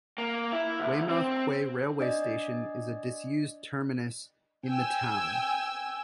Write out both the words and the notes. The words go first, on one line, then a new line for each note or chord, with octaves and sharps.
Weymouth Quay railway station is a disused terminus in the town.
A#3
E4
D2
C4
D4 D5 D#5
G5 G#5 E6